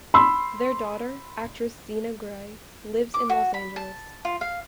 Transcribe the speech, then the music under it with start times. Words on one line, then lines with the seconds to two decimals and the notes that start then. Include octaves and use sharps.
Their daughter, actress Zena Grey, lives in Los Angeles.
0.14 B5 C6 E6
3.14 D6
3.30 F#4
3.54 B5
3.76 A5
4.25 F4
4.41 F5